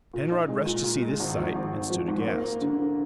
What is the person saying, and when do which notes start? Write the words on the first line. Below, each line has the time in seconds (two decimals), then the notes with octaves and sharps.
Penrod rushed to see this sight, and stood aghast.
0.13 A#2
0.31 D#4
0.49 G#3
0.66 A#2
0.84 A#2
1.01 G#3
1.20 G#1
1.37 F3
1.55 G#1
1.73 G#1
1.90 F3
2.08 G#2
2.26 A#3
2.44 A#3
2.61 D3
2.79 D3